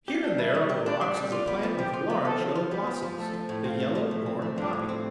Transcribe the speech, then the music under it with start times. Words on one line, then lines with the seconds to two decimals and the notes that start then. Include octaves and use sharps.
Here and there on the rocks is a plant with large yellow blossoms--the Yellow Horned Poppy.
0.08 G4
0.24 D4
0.38 G3 E5
0.55 G3
0.69 G4
0.85 D4 D5
1.01 G3
1.17 G3
1.31 F4 D5
1.47 B3
1.63 F3
1.79 F3 G4
1.93 F4
2.10 B3
2.25 F3 A4
2.40 F3
2.55 F4
2.71 B3 G4
2.87 F3
3.03 F3
3.18 A3 A4
3.33 F3
3.49 A2
3.64 C4 F4
3.80 A3
3.95 F3
4.11 A2
4.26 C4
4.42 A3
4.57 F3 D4
4.73 A2
4.89 C4